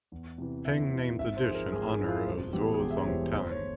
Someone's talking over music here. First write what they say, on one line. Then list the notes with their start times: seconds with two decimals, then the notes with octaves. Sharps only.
Peng named the dish in honour of Zuo Zongtang.
0.12 E2
0.38 C3 E3
0.65 E2 E5
0.92 C3 E3
1.19 G#1 E5
1.37 C5
1.45 G#2 F3 G#4
1.55 A#4
1.72 G#1 G#4
1.90 G#4
1.99 G#2 F3 E4
2.08 F4
2.26 E1 C5
2.53 E2 E3 G3 G4
2.62 G#4
2.74 G#4
2.79 E1 G4
2.91 E5
2.98 C#5
3.07 E2 E3 G3 C5
3.33 G1 C5
3.51 C#5